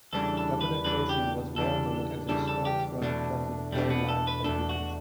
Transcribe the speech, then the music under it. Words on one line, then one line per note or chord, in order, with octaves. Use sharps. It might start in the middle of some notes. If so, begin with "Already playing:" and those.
Governor Casey was well known as a staunch Roman Catholic pro-life advocate.
E2 C#3 E3 G3 D4 A4
A4
B4
E2 C#3 E3 G3 D4 B4
G4
E2 C#3 E3 G3 D4 A4
E2 C#3 E3 G3 D4 A4
A4
G4
E2 B2 A3 D4
E2 B2 G3 A3 D4
B3
A4
B4
E2 B2 A3 D4 A4
F#4